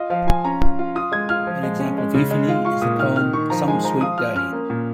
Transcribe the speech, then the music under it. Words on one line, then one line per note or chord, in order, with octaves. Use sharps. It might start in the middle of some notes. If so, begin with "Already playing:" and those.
An example of euphony is the poem "Some Sweet Day".
Already playing: F4 D#5
F3 F5
F4 G#5
C#4 A#5
F4
F4
F4 D#6
G#3 G#6
F4 F6
F3
G#3
C#4
G#3
C#3
G#3
F4
F4 C#6
A#2 D#6
D#3 F6
D#3 F6
D#3 C#6
F3 A#5
G#3 G#5
F3 A#5
F4 D#6
F4 F6
C#4 F6
A#3
A#2